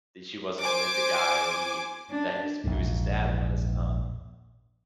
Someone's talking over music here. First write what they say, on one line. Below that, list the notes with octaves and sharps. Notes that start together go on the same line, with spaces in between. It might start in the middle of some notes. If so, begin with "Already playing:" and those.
she wasn't with the guy that he that his who was his dad was, um,
C5 G#5 D6
D4
A#1 E2 G#2